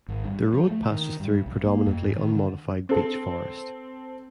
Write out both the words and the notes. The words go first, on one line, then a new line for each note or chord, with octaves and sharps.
The road passes through predominantly unmodified beech forest.
G#1
G2
F3
A3
D#3
G2
B1
A#3
F2
G#2
D#3
D3
C4 A4